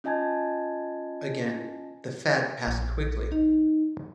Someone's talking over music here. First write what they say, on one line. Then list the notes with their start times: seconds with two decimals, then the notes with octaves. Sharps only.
Again, the fad passed quickly.
0.04 C#4 F4 D#5 G#5 A5 G#6
2.67 A#1
3.32 D#4